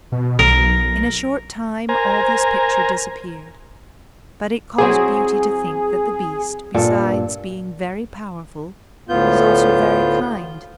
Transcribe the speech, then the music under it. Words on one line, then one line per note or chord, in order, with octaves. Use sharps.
In a short time all this picture disappeared, but it caused Beauty to think that the beast, besides being very powerful, was also very kind.
B2
B1 A#4
A#4 C5 G#5 A#5
F#3 C4 E4 G#4
G2 A#2 A4
D2 A2 B3 F4 G6